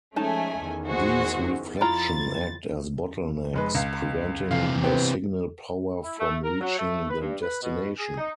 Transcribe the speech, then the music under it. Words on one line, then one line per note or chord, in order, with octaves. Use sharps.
These reflections act as bottlenecks, preventing the signal power from reaching the destination.
F3 G#3 A3 C#4 D#4 G#5 A5
E2 D#3
F#4 G#4 C5
F2 E4 F4 A#5 A6
F1 G#3 B4
C#2 F5
C3 E3 F5
B3 C4 G4
E4
A3
A#4
F#3
A3
B4
G2
B4
B2
G#4
D#4